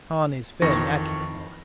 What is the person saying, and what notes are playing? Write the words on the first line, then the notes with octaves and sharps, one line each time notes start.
"Hahn is fairly accurate, Moa."
F2 D#3 E3 C#6 A#6 C#7